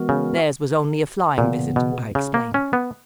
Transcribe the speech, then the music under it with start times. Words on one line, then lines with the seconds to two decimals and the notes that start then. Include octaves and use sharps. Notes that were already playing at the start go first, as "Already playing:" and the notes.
"Theirs was only a flying visit," I explained.
Already playing: E3 G#3 B3 F#4 A#4
0.09 C#3
1.38 A#2 C#3 E3 B3
1.76 B2
2.15 C#3
2.34 A#3
2.54 C#4
2.73 B3